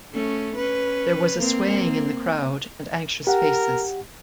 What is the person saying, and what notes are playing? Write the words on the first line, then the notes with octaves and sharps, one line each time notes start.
There was a swaying in the crowd and anxious faces.
A3 C#4
C#4 B4
A#3 C4
G4 A#4 F#5